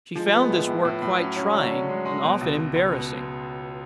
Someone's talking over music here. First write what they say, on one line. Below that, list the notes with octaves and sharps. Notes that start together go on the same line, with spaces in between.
She found this work quite trying, and often embarrassing.
F3 G#3
B3
A2
A2
A2
A2
F#3 C#4
C#4
D3
C#4
G#3
G#3
B2
C#2
B2
C#2
B2